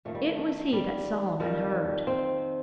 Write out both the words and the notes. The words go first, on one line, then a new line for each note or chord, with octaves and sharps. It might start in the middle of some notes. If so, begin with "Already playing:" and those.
It was he that Solomon heard.
F2 D#3 A3
G3
A3
G3
F2 D#3 G3
C4